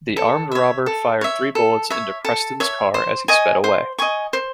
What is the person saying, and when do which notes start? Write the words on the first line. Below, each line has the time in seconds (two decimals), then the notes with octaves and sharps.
The armed robber fired three bullets into Preston's car as he sped away.
0.17 A4
0.52 C#5 E5
0.86 A4
1.21 C#5 E5
1.55 A4
1.90 C#5 E5
2.25 A4
2.60 C#5 E5
2.94 C5
3.28 D#5 G#5 C#6
3.64 C5
3.99 D#5 G#5 C#6
4.33 C5